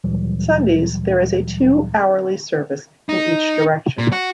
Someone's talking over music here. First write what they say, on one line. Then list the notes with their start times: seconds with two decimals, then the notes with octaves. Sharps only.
Sundays there is a two-hourly service in each direction.
0.04 D2 A#2 E3 F#3 G3
3.09 D#4
3.98 A#2
4.12 F#4